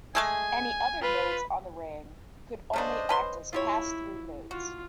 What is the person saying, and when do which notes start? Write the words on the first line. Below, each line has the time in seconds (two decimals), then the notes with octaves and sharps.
Any other nodes on the ring could only act as pass-through nodes.
0.15 G#3 A3 G#4 G#5
1.01 F4 B4
2.73 C#3 A3 D4 C5 D#5
3.09 C#4 B4 C6
3.53 E4 F4 G4 C#5
4.51 F4 F#4